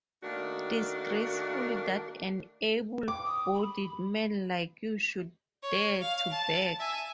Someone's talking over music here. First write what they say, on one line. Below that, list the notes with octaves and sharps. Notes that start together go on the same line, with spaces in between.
Disgraceful that an able-bodied man like you should dare to beg.
D#3 A3 A#3 D4 F#4 A#4
G5 D6
D#6
B5
C#5
F5
A5
E5 G#5